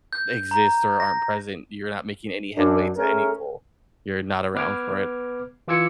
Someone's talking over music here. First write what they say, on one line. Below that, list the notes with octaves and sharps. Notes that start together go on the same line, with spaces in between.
exist or aren't present, you're not making any headway to any goal. You're not around for it.
G6
A#5
A#6
F#2 D4
A3 C#4 G#4 A#4
B3 B4 D6 F6 G#6
E3 F4 D6 E6 G#6 C#7